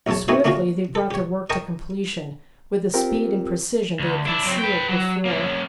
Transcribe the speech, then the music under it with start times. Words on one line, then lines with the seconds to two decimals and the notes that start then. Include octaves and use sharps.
Swiftly they brought their work to completion, with a speed and precision they had concealed before.
0.07 A1 E2 F#3 C#5 A5
0.28 A3 B3 D#4 F#4 G4 C#5
0.44 A3 A#3 C#4 D4 F4 F#4
0.95 A4
1.11 G4 C#5
1.50 A#4 D#5 G5 A5 C#6 D#6
2.94 C4 F4 G4 A#4
4.00 D2
4.26 D4 E4
4.45 F#3 C4
4.59 B4 G5
4.89 F#3
5.25 A#3 C#4